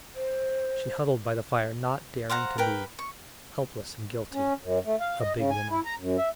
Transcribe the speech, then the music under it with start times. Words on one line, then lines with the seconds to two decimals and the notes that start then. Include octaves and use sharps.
She huddled by the fire not daring to move, helpless and guilty, a big woman.
0.16 C5
2.30 C5 F5 F#5 A#5
2.58 A#4 B4 G5
2.99 C#6
4.33 C#4
4.62 F#2
4.85 A3
5.00 F5
5.21 D#5
5.36 C#3
5.50 G#5
5.70 E4
5.85 A#5
5.99 F#2
6.18 E5